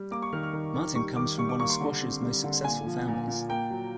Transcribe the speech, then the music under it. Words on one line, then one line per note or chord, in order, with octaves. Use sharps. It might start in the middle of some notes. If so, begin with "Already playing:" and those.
Martin comes from one of squash's most successful families.
Already playing: G3
A#3 D6
C#6
D#3 F6
F6
D#3
D#3
G3 C#6
D#3 D6
G3 C#6
D6
A#3 C#6
C6
D3
C4
G3
D3
A#2 G#5
F3
A#2
A#2
A#3 G5
F#3